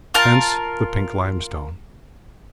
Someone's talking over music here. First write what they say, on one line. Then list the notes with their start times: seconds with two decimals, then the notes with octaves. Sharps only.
Hence the pink limestone.
0.14 F4 A#4 A5